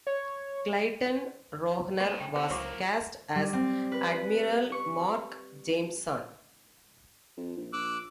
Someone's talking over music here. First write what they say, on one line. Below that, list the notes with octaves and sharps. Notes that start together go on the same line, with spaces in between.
Clayton Rohner was cast as Admiral Mark Jameson.
C#5
A2 A#3 C5
C#3 G5
B2 G4 C5 F5
C#2 F#3 A#3 E4 F#4 C5 C#5 D6
G3
C4
B4
C#6
F2
A#1
A#1 D6 E6 F#6